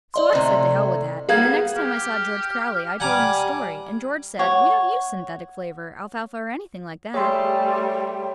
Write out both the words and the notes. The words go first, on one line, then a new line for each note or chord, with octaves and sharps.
So I said to hell with that and the next time I saw George Crowley I told him the story and George said, "We don't use synthetic flavor, alfalfa or anything like that."
D5 D#5 C6
A2 C3
G3 A#3 B3 G#4 F5 G#6
G4 F6
G3 F#5 G#5 A#5 D6
C#5 F#5
G3 A3 G#4 C#5 E5 G5 C6